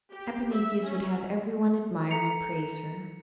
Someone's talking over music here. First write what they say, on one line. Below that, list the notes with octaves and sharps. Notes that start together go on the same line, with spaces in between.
Epimetheus would have every one admire and praise her.
G4
E5
C#4
A4 A#5 C#7 F7